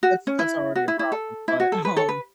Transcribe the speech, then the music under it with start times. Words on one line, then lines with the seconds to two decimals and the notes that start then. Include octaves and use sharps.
that's that's already a problem, but, um
0.03 F#4
0.27 C#4
0.39 E4
0.75 F#4
0.88 E4
0.99 E4
1.12 A4
1.48 E4
1.60 F#4
1.72 A4
1.85 B4
1.97 A4 C#5
2.09 B4